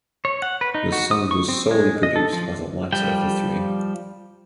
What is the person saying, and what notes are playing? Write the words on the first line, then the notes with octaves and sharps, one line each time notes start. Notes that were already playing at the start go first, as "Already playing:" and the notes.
The song was solely produced by the latter of the three.
C#5
F#5
B4
D#4
F#4
D#6
C#6
C4
G#3
D#5
A4
F3
F3 G3 G5